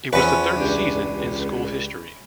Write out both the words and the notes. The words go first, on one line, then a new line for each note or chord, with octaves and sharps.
It was the third season in school history.
E2 F3 C#4 B4 C#5
C#2 D4 G4